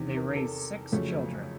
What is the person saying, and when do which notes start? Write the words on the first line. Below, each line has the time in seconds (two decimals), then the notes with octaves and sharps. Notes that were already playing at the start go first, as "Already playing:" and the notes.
They raised six children.
Already playing: E2 C3 D#3
0.17 A#4
0.35 A4
0.92 F2 C#3 F#3 A3